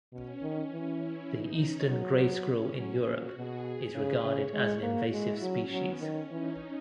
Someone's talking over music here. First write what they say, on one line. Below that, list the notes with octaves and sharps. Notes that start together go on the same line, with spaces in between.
The eastern grey squirrel in Europe is regarded as an invasive species.
B2 C#4
D#3
E3
E4
E3 D#4
C#4
F#3 B3
C#4
F#3
A#2 F#4
B2 G#4
C#3 B4
C#3 C#5
G#3 C#5
A#3 F#4
G#3 E4
F#3 C#4
F#3 B3
D#3 C#4
E3 D#4